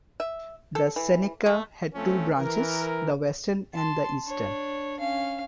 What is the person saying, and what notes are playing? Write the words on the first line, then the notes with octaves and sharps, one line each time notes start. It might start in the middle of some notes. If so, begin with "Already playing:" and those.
The Seneca had two branches; the western and the eastern.
E5
A4
E3
A3
F3 A3 C4 C#4
E3 A#4
A5 C6
D4 C#5
C#4 F5